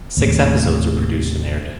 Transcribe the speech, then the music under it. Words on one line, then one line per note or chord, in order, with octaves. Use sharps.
Six episodes were produced and aired.
D#2 A2 C3